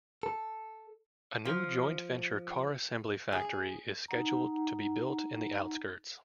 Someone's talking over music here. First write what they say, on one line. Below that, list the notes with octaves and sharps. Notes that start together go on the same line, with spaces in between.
A new joint-venture car assembly factory is scheduled to be built in the outskirts.
A4
F3
G#4
D#4 F#5 A#5